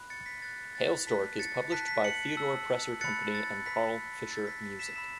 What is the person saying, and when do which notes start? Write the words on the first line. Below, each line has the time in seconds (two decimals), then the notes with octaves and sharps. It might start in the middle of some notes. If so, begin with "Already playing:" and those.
Hailstork is published by Theodore Presser Company and Carl Fischer Music.
Already playing: B5 F#6
0.10 A6 C#7
0.26 B6
0.42 B5 F#6 A6
0.75 A6
1.07 A5 F#6 B6
1.39 A6 C#7
1.72 A5 F#6 B6
1.88 B6
2.04 C#7 F#7
2.37 A5 E6
3.01 B5 F#6 A6 C#7
3.35 A6
3.66 B5 F#6 B6
4.31 B5 E6 A6
4.47 B6
4.63 B6
4.79 B6 E7
4.95 B5 E6 B6 E7